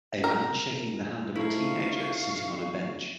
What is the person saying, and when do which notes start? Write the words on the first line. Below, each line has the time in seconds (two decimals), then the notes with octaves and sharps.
A man shaking the hand of a teenager sitting on a bench.
0.24 A#4
1.36 F3 A3 D#4 E4 F5 C#6